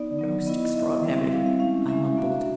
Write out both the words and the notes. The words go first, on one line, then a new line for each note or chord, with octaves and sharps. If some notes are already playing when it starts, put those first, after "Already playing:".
"Most extraordinary!" I mumbled.
Already playing: B3 D#4 D5
F#3 B3 D#4
B3 E4 D#5
D#5
B3 E4 E5
G3 C4 E4
G3 C4 E4 F5
F5
G#3 C#4 E4 F5
F5
G#3 C#4 E4 E5
A#3 D4 F#4